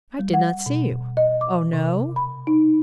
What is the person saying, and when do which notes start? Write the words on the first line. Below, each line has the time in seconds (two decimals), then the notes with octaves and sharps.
I did not see you." "O no!
0.19 G3
0.34 F#5
0.66 B2
1.17 D#5
1.41 D6
1.73 C3
2.16 B5
2.47 D#4